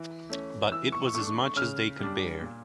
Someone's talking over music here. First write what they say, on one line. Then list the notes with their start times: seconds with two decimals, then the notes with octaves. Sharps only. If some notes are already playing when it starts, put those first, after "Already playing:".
But it was as much as they could bear.
Already playing: E3
0.30 A3 C#4
0.72 E3 E6
0.92 C#6
1.14 A3 D4 C#6
1.56 C#3 F6
1.99 G3 D4
2.41 A#2